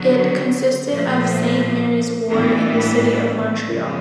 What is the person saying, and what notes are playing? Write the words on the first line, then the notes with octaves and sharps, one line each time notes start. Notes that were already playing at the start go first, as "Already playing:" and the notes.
It consisted of Saint Mary's ward in the city of Montreal.
Already playing: D3 F#3 B3
A#2 F3 A3
A2 E3 G3 B3 D4
F#2 C#3 F3 G#3